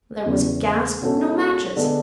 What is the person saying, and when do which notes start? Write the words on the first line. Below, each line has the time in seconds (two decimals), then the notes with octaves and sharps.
There was gas, but no matches.
0.26 E2 C#3 G#3
1.01 B2 G#3 C#4 F#4 A4
1.76 D3 G#3 B3 D4 A4